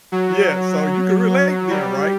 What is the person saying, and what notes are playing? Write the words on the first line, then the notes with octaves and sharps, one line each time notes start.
Yeah, so you can relate then, right?
F#3
G3